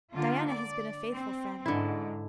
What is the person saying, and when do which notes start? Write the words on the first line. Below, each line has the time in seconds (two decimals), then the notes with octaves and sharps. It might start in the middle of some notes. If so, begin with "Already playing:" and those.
Diana has been a faithful friend.
0.11 D3 A#3 F4
0.47 D5
1.12 C4
1.66 G#2 D3 E4